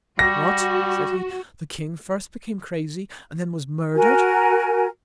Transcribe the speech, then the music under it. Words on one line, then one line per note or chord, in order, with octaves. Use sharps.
What, said he, the King first became crazy, and then was murder'd.
G3 F#4 A#6
F#4 A#4 G#5